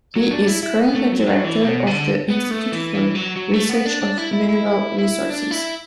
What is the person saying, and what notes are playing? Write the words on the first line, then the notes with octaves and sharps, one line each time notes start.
He is currently director of the institute for research of mineral resources.
F#3
D4
E4
E4
B3
A3
F#3
F#3
E3
B2
D3
B3
A3
E3
E3
F#3
F#3
A3
B3
D4
D4
E4
E4
E4
E4
E4
D4
E4